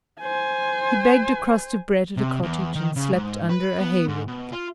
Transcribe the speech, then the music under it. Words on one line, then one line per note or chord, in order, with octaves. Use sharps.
He begged a crust of bread at a cottage and slept under a hayrick.
C5 G#5
C3
E2
D#3
C#3
G#2
B4
B3
G#2
B2
F4